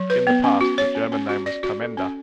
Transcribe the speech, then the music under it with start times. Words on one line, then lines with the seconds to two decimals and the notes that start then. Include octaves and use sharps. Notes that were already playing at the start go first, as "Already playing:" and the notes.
In the past the German name was "Commenda".
Already playing: F#3
0.10 B4
0.27 B3
0.44 C#4
0.61 F#4
0.78 C#5
0.95 C#4
1.12 C#4
1.29 F#4
1.46 D5
1.63 F#4
1.80 A4
1.97 C#4